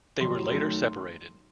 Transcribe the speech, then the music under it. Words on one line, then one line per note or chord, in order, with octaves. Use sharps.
They were later separated.
F2 C3 F#3 C6
F#2 D#3 A3